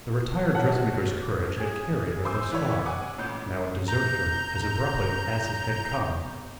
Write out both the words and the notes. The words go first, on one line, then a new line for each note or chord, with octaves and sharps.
The retired dressmaker's courage had carried her thus far; now it deserted her as abruptly as it had come.
C#5 F#5 A5
F#4
G#4 G#6
C5 G#5 D6 E6
E3 G3 E4 B4 C#5
F#5 G#5 D6
A1 A#2 G6
A#5 G6